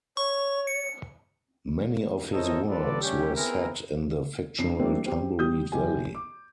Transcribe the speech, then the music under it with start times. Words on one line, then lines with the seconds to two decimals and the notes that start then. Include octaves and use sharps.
Many of his works were set in the fictional Tumbleweed Valley.
0.17 C#5 C#6
0.67 C#7
2.33 E4 A4 A#4 C5 C#5 D#5
2.69 G3 F4 A4 B4 D5
3.02 G3 A3 C#4 G4
3.35 B3 C4 E4 G#4 A#4
4.59 F2 D4 C7
4.79 F#3 A3 A#3 C4 D4
5.06 C4 G4
5.39 G3 D#6 G6
5.72 F#2 G4 G#5
6.15 D6